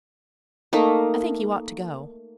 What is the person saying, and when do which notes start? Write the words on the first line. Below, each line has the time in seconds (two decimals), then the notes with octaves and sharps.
I think you ought to go.
0.73 A3 A#3 D#4